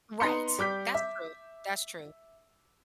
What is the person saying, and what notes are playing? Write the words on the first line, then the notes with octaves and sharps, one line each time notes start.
Right, that's true, that's true,
B3 D#4 A#5 C6 C#7
G3 D6 G6 B6
E5